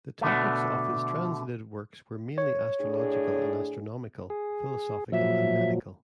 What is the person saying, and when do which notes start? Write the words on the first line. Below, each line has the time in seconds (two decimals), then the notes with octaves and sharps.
The topics of his translated works were mainly astrological and astronomical, philosophical and medical.
0.21 B2 D3 A3
2.38 C#5
2.80 A2 D4 G#4
4.30 G#4
5.12 A#2 F3 F#3 E5